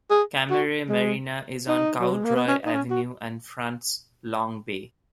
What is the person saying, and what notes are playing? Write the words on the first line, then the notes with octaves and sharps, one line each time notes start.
Cammeray Marina is on Cowdroy Avenue and fronts Long Bay.
G#4
F#4
G#3
D#4
F#3
G#3
A#3
B3
C#4
D#4
C#4
F#4